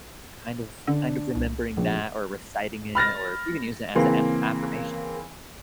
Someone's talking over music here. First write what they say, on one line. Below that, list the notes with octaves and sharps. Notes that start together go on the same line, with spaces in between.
kind of kind of remembering that or reciting it or even use it as a an-affirmation.
D3 D4
C2
A#1
B5 F6 A6 A#6
C#3 E3 A#3 C4